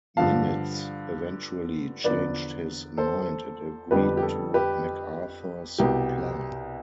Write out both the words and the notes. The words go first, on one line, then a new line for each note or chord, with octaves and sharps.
Nimitz eventually changed his mind and agreed to MacArthur's plan.
G2 D3 F3 F5 A5
E2 D3 F3 B4 D5
A4 C5
F2 D3 G3 B3 G4 B4
G4
A4
G4 B4
C2 B2 B3 G4